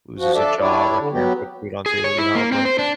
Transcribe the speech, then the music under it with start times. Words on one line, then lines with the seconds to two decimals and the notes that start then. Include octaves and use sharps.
loses a job or can't put food on table, you know, but
0.18 F3 F#4
0.35 D4 A4 D5 E5
0.60 G3 D4 E4 C#5 D5
0.98 D3
1.12 F#3 B3 G4
1.86 G#4
2.04 C#5
2.18 E4
2.35 A#3
2.52 C4
2.65 C5
2.79 D4